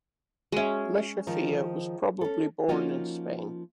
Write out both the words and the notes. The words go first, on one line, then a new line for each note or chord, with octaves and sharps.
Musaphia was probably born in Spain.
G#3 C#4 F#4 E5
D#3 F3
C#4 A4
F3 A#3 C#4 D#4 F4 F#4